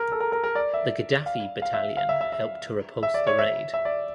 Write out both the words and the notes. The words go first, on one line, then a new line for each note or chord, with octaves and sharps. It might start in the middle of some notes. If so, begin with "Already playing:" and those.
The Gaddafi Battalion helped to repulse the raid.
Already playing: A#4
A4
A#4
A#4
A#4
D5
E5
F5
F5
E5
F5
E5
E5
E5
E5
D5
C#5
E5
E5
D5